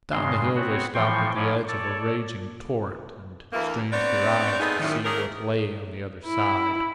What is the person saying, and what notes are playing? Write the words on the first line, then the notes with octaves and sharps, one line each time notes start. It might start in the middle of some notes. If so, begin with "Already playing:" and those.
Down the hill they stopped at the edge of a raging torrent and strained their eyes to see what lay on the other side.
G2 C#3 G#3 C6
B3 C4 F#4 C#5 F#5
A2 E3 F3 G5 C6 C#6
G#2 F3 E4 C#5 D6
A4 C#5 D5
D2 E3 A#3
B3 C4 D4 C#5 D5
G#3 A3 B3 C4 D#4 G#4
F#2 A2 D#3
A3 A#3 C#4 G#4 A#4
E4